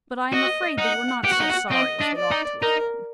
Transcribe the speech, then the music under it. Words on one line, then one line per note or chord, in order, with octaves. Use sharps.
But I am afraid they were not so sorry as they ought to have been.
F#4 D#5
D#4 F#5
G4 F#5
F#4
D#4
F#4
C4 D#5
D4
D5
D#4
D#4 A#4